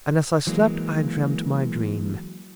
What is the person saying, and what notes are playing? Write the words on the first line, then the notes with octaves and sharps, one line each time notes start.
And as I slept I dreamed my dream.
E3 F#3 G#3 A#3